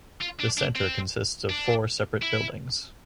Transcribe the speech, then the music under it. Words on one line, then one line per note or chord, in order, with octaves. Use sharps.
The centre consists of four separate buildings.
F4
D4
D4
C4
D4
E4